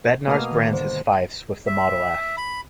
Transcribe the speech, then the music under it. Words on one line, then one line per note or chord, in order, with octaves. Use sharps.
Bednarz brands his fifes with the name "Model F".
B2 A3 A#3 F5 D#6 F6
D#3
G2 D3 C5
E5
B5